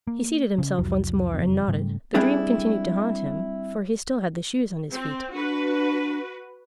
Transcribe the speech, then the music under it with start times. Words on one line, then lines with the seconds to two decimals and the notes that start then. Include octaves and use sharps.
He seated himself once more and nodded: the dream continued to haunt him, for he still had the shoes on his feet.
0.07 A#3
0.58 C#3
0.78 C2 F2 E3 F#3
1.34 F#1 F2
1.68 G#2 C#3 G3 A3
2.14 G3 C4 D4 E4 G#4 A4
4.92 C4
5.33 D4 F#4 B4